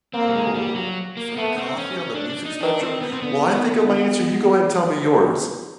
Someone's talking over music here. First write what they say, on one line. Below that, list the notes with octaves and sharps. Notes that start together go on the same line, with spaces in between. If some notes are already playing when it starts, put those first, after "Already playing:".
Oh, for coffee on the music spectrum. While I think of my answer, you go ahead and tell me yours.
A#3 C4
G3
G#3
G3
F#3
A#3
A3 B3
C4
C#4
C#4
D4
D4
D#4
D#3 D4
C4
B3
C4
D3 B3
D#3
D3